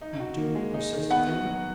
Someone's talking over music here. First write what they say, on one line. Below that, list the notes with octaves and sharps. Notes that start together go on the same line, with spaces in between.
"You do persist, then?"
D#4
F#4
A#3
G#3
D#4
D#3
B3 F#5
F#4
F#3